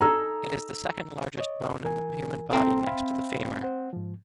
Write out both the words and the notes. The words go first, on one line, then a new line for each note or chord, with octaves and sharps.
It is the second largest bone in the human body next to the femur.
D#4 G#4 A4 A#5 E6
C#5 D#5
E3 A#4 G#5
C4 A4 A#5
E5 F5 B5
C5 F#5
G#2 F3